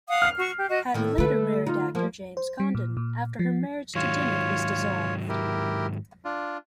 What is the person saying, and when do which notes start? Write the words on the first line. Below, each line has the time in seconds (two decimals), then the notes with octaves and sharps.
Haddy later married actor James Condon after her marriage to Dimmitt was dissolved.
0.09 F5 F#5 D#6
0.22 F6 C7
0.38 F#4 C#6
0.58 G4
0.69 F#4 D#5
0.94 A2 D#3 A4
1.18 D3 A3 B4
1.66 D#4 F4
1.95 F3 A#3
2.37 C5
2.60 G3
2.75 A#2
2.97 A#2
3.39 F3
3.96 G#2 D#3 F#3 F4 C#5
5.29 E4 G4 A#4
6.25 D4 F4